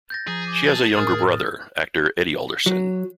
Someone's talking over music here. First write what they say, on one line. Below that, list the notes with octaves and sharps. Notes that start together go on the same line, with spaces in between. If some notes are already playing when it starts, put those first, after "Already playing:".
She has a younger brother, actor Eddie Alderson.
G6 A6 A#6
F3 G#4 A#5
D6
A5 A6
A2 A#4 D#6 F6 A6
F#3